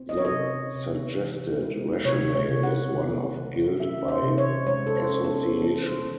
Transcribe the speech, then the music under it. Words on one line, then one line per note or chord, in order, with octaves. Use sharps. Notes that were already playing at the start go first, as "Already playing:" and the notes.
The suggested rationale is one of guilt by association.
Already playing: C4
D#5
C#5
D#5
C3
C3
E3
G#3
C3 C#5
C#5
C3
F#5
D#3
A3
C#4 E5
C5
C3
C#5
G#3 C#5
A4
C5
C#4
A4
E3
C5
E3